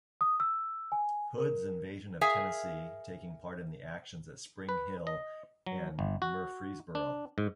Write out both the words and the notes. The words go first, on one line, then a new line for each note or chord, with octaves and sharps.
Hood's invasion of Tennessee, taking part in the actions at Spring Hill and Murfreesboro.
D#6
E6
G#5
A#4
G#4 A#4 E5 F5 G#5
B4
D#5
F#3
G1
F#4
D4
G#2